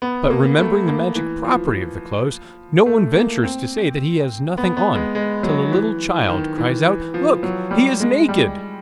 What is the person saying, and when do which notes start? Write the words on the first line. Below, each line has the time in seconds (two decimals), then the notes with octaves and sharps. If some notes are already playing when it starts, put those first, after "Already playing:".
But remembering the magic property of the clothes, no one ventures to say that he has nothing on till a little child cries out: "Look, he is naked!"
0.02 B3
0.30 A#3
0.59 A3
0.88 A#3
1.15 E3
1.44 F3
2.86 A3
3.15 A#3
3.44 C4
4.58 B3
4.77 B3
4.95 G#3
5.15 G#3
5.43 F#3
5.72 E3
6.29 D#3
6.58 E3
6.86 E3
7.14 F3
7.43 F#3
7.71 G3
8.00 G#3
8.28 G3